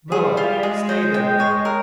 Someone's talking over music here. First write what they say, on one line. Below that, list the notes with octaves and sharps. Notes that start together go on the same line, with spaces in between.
Moa, stay there with him.
G3 G#4
F4
G#3 G#4
C5
G5
C#5
A#4